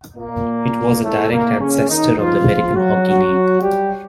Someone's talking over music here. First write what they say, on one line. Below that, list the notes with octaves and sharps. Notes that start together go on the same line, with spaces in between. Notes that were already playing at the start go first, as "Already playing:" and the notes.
It was a direct ancestor of the American Hockey League.
A#2 A#3
A2 A3
A#2 A#3
C#3 C#4
D#3 D#4
F3 F4
F#3 F#4
G3 G4